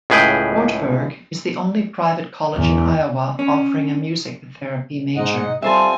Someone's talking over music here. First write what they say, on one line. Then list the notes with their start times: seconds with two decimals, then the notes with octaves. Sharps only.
Wartburg is the only private college in Iowa offering a music therapy major.
0.10 C#2 A2 G#4 B4 G5
2.56 E2
3.39 C#4
5.17 G#2 D#4 D#5 F#5
5.62 G3 C4 F4 A4 C5 E5 G#5